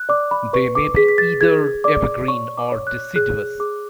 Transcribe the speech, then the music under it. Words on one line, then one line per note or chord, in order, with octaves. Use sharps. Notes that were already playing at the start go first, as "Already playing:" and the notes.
They may be either evergreen or deciduous.
Already playing: F#6
D5 D6
B5
B4 C#6
D6
G#4 B6
B6
A6
G#4 G#6
D5 D6
C#5 C#6
D6
C#5
F#6
G#4 F#6
G#4 D6